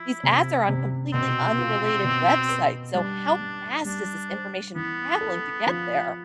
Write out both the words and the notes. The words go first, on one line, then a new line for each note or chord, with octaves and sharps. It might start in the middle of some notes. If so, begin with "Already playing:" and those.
these ads are on completely unrelated websites, so how fast is this information traveling to get there?
Already playing: F3 E4
C3
C3
B2 C4
F4
B2
B4
G3 D4
G3
G3 D4
C5
E3 B3
A4
F3